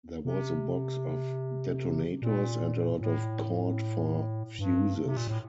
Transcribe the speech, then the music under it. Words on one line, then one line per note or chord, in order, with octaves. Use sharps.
There was a box of detonators, and a lot of cord for fuses.
C3
A#2
A2
G2
C3
A#2
A2